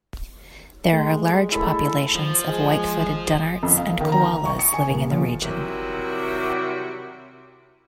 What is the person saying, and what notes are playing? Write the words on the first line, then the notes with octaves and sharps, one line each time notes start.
There are large populations of white-footed dunnarts and koalas living in the region.
G#3 A3
E4 A4 E5
F3
G#3 G#4
F2
F5
D#3
A#5
C#6
C#7
G#5
D#1
F3
C3 D#3 F#3 G3 E4 F#4